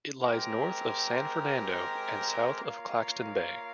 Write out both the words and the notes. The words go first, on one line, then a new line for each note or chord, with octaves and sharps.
It lies north of San Fernando and south of Claxton Bay.
G#3 C4 G4 A#4
A#3 F4 A#4 C#5 F5